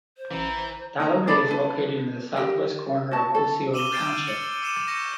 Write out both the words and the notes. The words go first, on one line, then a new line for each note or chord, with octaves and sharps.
Dollar Bay is located in the southwest corner of Osceola Township.
C5
A1 E3 A#5
D#4 A#5
D4 D5 B5
A4 B4
G4 A#4
F#4 A5
A4
D6 E6 D#7 E7 F#7 G7
F6 G6 A6 C7 D7
A6 C#7 F#7
D6 E6 C7 D#7 E7
C#6 G6 A#6 C#7 D#7